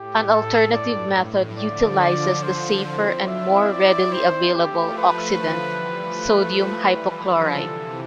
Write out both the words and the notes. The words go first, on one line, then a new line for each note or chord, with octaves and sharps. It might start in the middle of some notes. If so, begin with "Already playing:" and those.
An alternative method utilizes the safer and more readily available oxidant sodium hypochlorite.
Already playing: A2 G4
A2 A4
G2 D5
A2
D3 F3 D5
D5
C5
C4 E4 C5
D4 F4
E5
C4 E4
C4 E4 D5
C5
F3 A3 G4
B4
D3 F3
E3 G3
F3 A3
F3 A3
E3 G3
D3 F3 B4
C3 E3 A4